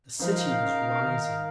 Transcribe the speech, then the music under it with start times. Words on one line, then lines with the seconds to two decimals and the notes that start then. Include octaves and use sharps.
The city was rising.
0.19 F3 D#4 A#4 F5
0.62 C#3
1.04 D#3